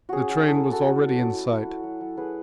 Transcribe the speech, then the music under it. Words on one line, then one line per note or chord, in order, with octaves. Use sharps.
The train was already in sight.
C#4 F#4 G#4
F#3
E4 A4
E4 G#4
F#4 A4
F#3
F#3
F#3
E4
E4
F#3
F#3
F#3
F#3 G#4 B4